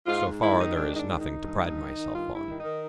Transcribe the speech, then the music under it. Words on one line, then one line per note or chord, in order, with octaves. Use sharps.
So far there is nothing to pride myself on.
G#2 F4
G#2
D#3 E4
D#3 D#4
G#2 D4
G#2 D4 D#4
D#3
D#4
D#3
G2
G2
D#3
D#3
G2 F4
G2
E4
D#3
D#4
D#3